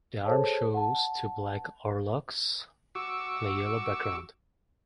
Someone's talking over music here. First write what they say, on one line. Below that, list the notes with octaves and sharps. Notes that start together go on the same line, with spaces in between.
The arms shows two black oarlocks on a yellow background.
G#4 A4 C5 C#5 A5
F#5 A5
F#4 C#6 D6 E6